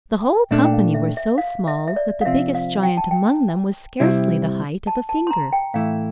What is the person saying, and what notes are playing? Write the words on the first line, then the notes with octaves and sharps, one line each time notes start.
The whole company were so small, that the biggest giant among them was scarcely the height of a finger.
G5
A#2 A3 D4 E5
G5
F5
E5
E5
F5
E5
E5
D5
F5
C3 F3 C4 E5
F5
G5
A5
G5
C3 G3 C4 E4
A5
A5
C6
A#5
G5
A2 E3 A3 E4 F5